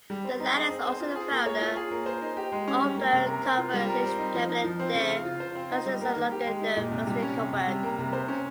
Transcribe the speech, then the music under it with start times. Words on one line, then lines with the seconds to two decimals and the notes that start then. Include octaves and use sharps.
The latter is also the founder of the Kupferstichkabinett der Kunstsammlungen der Veste Coburg.
0.10 G3
0.25 C4
0.40 D#4
0.55 G#4
0.70 C4
0.86 C5
1.01 F4
1.15 G#4
1.31 A#3
1.46 C#5
1.61 F4
1.76 G#4
1.91 A#3
2.06 C5
2.22 D#4
2.37 G4
2.52 G#3
2.68 C#4
2.82 G3
2.97 A#3
3.13 C3
3.28 A#4
3.43 C4
3.58 F4
3.74 G3
3.88 A#4
4.04 C4
4.18 D#4
4.34 F3
4.49 D#4
4.64 F3
4.80 C4
4.95 C#3
5.10 F5
5.25 F4
5.40 C5
5.55 C4
5.71 D#4
5.86 G3
6.01 A#3
6.16 D#3
6.31 G4
6.46 G#3
6.61 D#4
6.77 A#2
6.92 C3
7.07 G3
7.22 C#4
7.37 C3
7.53 C3
7.67 G3
7.83 A#3
7.98 C3
8.13 C5
8.28 C#4